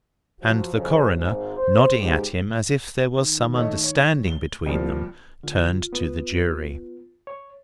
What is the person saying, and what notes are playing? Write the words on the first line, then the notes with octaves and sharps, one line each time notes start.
And the coroner, nodding at him as if there was some understanding between them, turned to the jury.
F3 F#3 F4 F#4
F2 C#3 F3 F#3
G#1 G#2
C5
C#2 G#2 G4
D#3
A3 C#5 D#5
C#5
G7
C2 G2 A#2 F3
D3 F4
B3 B4
C#5